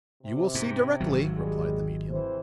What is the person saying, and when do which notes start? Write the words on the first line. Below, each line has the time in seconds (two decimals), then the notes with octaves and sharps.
"You will see, directly," replied the medium.
0.23 C3
0.55 G#2
1.00 G#1 F#3
1.34 G3 G#3
2.08 C3 E3 C5